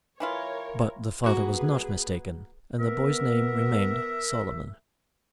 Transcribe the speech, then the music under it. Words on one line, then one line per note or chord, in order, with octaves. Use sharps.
But the father was not mistaken, and the boy's name remained Solomon.
E3 E4 F4 A#4 C#5
A#3 F#4 G#4 B4
B3 A#4 E5